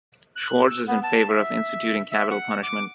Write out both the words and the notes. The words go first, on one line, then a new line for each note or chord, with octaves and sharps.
Schwartz is in favor of instituting capital punishment.
F#6
E6
B3
A5
E5
E5
F#5
D6